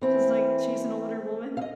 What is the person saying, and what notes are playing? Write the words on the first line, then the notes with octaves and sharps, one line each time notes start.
'cause, like, she's an older woman
E3 C4 E4
D#5 F5